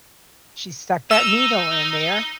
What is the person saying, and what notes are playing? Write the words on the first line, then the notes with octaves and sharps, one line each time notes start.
she stuck that needle in there.
D#4 E6